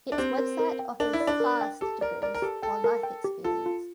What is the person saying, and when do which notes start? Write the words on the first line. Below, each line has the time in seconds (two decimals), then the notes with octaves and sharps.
Its website offers "fast" degrees for "life experience".
0.12 D4
0.18 C4 G4
0.38 A#4
0.60 A#4
0.79 G5
1.00 D4 A#4
1.13 E4
1.20 D5
1.27 D4
1.40 A#4
1.61 G5
1.81 G4 A4
2.01 A#4 D5
2.22 A#4 D5
2.34 A#4
2.42 G4 A4
2.63 A4 G5
2.84 A#4
3.03 G5
3.24 G4
3.44 F4 A4
3.66 F4